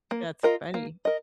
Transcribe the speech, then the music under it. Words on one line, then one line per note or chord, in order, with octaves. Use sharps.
That's funny.
A#3
F4 A#4 D#5
A#3
A#4 D#5